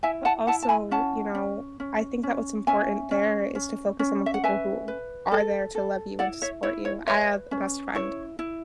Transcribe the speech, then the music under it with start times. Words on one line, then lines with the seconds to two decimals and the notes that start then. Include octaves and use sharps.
but also, you know, I think that what's important there is to focus on the people who are there to love you and to support you; I have a best friend
0.03 E4 E5 G#5
0.25 F#5 A5
0.47 E4 F#5 A5
0.63 A5
0.69 G#5 B5
0.91 C#4 F#5 A5
1.35 C#4
1.80 C#4
2.23 C#4
2.67 C#4 E5 G#5
3.11 C#4
3.55 C#4
3.99 C#4
4.26 E5
4.34 F#5
4.44 B4 E5 G#5
4.88 B4
5.32 A4
5.75 A4
6.19 E4 D5 F#5
6.42 C#5 E5
6.63 E4 C#5
6.85 C#5
7.07 B4 C#5 E5
7.51 C#4
7.95 E4 C#5
8.39 E4